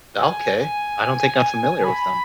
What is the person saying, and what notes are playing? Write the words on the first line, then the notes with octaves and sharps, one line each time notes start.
Okay. I don't think I'm familiar with them.
G#5
B5